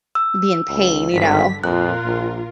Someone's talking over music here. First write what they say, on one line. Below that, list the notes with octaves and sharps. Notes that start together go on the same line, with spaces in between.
be in pain, you know?
E6
C#2
G#1 G2 D3 B6
F2 A#2 F4 A#4 F#6
A#1